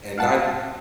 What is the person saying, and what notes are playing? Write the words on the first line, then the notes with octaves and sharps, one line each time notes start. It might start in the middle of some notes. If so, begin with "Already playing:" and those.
And ni
F5 F#5 A5